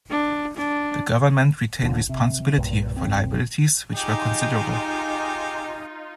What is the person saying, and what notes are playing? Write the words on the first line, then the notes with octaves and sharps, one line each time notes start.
The government retained responsibility for liabilities, which were considerable.
D4
D4
D#1 D#2 D3 F3
C3
B1 G2 A#2
F#1 C#2 C4
D#4 F4 G4 G#4